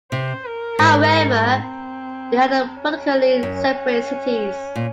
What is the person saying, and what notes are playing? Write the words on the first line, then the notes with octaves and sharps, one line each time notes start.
However, they are politically separate cities.
C3 C5
A#4
G#2
C4
C#4
F#2
A#2